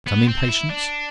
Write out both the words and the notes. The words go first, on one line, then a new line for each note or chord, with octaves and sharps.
Some impatience.
B3
C4
E4
D4